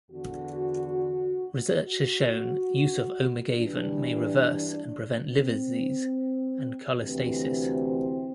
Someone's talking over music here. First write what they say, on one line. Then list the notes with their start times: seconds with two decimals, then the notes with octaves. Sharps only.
Research has shown use of Omegaven may reverse and prevent liver disease and cholestasis.
0.11 E2 D3 F#4
1.84 F#4
3.56 G2 E3 D4
5.28 C4
6.99 D2 C3 E3 C4